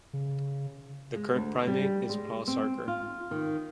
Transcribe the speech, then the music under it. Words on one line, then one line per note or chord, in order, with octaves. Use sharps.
The current Primate is Paul Sarker.
C#3
G#3
D2
G3
G#3
C4
F4
D#3